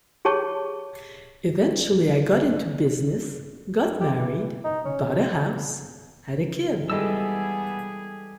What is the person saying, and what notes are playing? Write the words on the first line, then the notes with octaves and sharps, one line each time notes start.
Eventually I got into business, got married, bought a house, had a kid.
G4 G#4 C#5 A5 C#6
G4
E3
D#4
C#4
E3 G3 G#3 B3 G#4 A4 E6